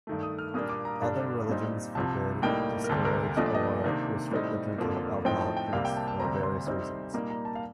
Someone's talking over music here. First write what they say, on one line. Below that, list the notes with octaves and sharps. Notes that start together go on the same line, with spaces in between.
Other religions forbid, discourage, or restrict the drinking of alcoholic drinks for various reasons.
G2 D#3 A3
D#6
F6
A#2 G3 A#3 D4 D#6
D6
A#5
G2 D3 G3 D4
A#2 G3 C4 D#4
C2 C3 F3 A5
A2 G3 A#3 D#4 G5
A#4
D2 C3 G3 A4
A#4
A#2 F3 A3 D4 D#5
D5
D#5
C3 D#3 A#3 D4
A2 G3 C4 D#4
F2 D3 F3 A#3
A2 F3 C4 D#4 G5
A5
G5
C2 C3 G3 A#3 F5
G5
A5
A5
D2 C3 G3 C4 A#5
C6
C3 G3 C4 D#4
A#2 G3 A#3 D#4 A#5
A#5
A5
F5